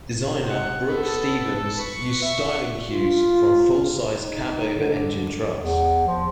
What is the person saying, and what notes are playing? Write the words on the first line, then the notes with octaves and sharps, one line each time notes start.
Designer Brooks Stevens used styling cues from full-size cab-over-engine trucks.
C3
F#5
B3 A4
B4 C#6
E5
F4
D#4
D3
E2
F3